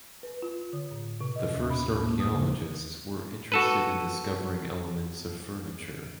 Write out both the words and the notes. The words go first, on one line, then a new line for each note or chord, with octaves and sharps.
The first archaeologists were interested in discovering elements of furniture.
B4
F4
D3
A2
C3
D#5
D#2
B5
A2
A#3
D#6
C#3
F#4 A4 B4